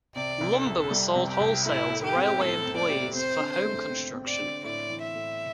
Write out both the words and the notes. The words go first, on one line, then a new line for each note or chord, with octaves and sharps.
Lumber was sold wholesale to railway employees, for home construction.
C3 D5
C2
A4
C2
G3
C3
G4
C2
A2 E4
A3
G4
C4
A2 A4
C4
D5
G4
C4 C5
D3
C5
A3
C4
C4
D5
D3
A2 D5
E3
E5
A2